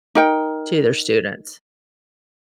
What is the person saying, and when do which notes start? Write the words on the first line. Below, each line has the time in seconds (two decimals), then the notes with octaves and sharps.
to their students.
0.15 D#4 A#4 G5